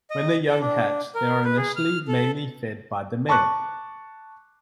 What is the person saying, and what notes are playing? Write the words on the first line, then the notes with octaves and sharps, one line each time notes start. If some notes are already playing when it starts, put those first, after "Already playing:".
When the young hatch they are initially mainly fed by the male.
D#5
A4
D4
A#4
B4
G#4
F6
A4
A5 C#6 D6 F#6